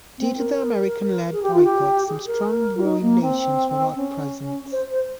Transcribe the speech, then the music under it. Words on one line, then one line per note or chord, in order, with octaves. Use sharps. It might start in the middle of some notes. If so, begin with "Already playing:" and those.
Due to the American-led boycott some strong rowing nations were not present.
C4
A#4
G#4
G4
F4
G4
G#4
A#4
F4
D#4
A#3
C4
C#4
C5
C5